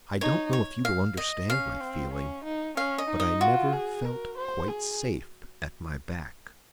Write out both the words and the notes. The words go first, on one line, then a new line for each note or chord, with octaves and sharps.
I don't know if you will understand my feeling, but I never felt quite safe at my back.
D#4 C#5
C#5
F5
D#5
C#4 F5
C4
C#4
D#4
C#4 F5
D#5
D#4
D#5
F4 F#4
G#4
A#4
C5
G#4